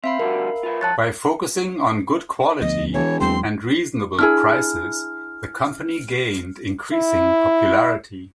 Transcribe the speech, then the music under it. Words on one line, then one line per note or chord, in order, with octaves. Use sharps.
By focusing on good quality and reasonable prices, the company gained increasing popularity.
C4 E5 F5 B5
D3 G3 F#4 A#4
F4 B4
F3 C#5 A5 F#6 A6
D2 F3 B3 D#5
E1 E3 C#5
E2 F#3 G#3 C4 C6
D4 E4 G#4 F6
E4